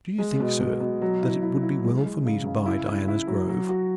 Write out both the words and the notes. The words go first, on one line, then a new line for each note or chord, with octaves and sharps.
"Do you think, sir, that it would be well for me to buy Diana's Grove?"
G#3
B2
B2
B2
F#3
E4
E4
E4
G#3
G#3
C#3
C#3
E4
E4
E4
F#3
F#3
F#4